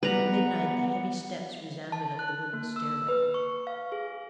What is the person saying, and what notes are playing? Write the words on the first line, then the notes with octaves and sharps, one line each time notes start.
At midnight the heavy steps resounded up the wooden stairway.
G3 B3 B4 F#5 A#5
A5
F#6
A#3
E6
B4
C#6
F5
G#4